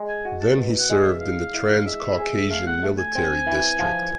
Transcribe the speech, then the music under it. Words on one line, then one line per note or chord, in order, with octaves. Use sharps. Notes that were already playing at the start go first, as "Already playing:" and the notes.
Then he served in the Transcaucasian Military District.
Already playing: G#3
G#5
F#4
A5
B2
F#5
G#3
F5
E5
E4 F5
E4
G#3 E5
G#4
A3 F5
F#5
A3
G#5
C4
E3
F3